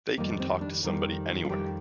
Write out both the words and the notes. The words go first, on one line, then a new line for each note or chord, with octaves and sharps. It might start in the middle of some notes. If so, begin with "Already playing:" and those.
They can talk to somebody anywhere.
F2 D#3 G3 A#3
C4
D4
F2 D#3 G3
F4
F2 D#3 G3 G4